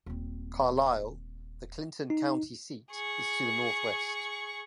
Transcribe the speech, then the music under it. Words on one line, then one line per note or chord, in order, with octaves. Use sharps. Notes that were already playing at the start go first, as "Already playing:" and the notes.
Carlyle, the Clinton County seat, is to the northwest.
D#1 C4
D#4
G#4 C#6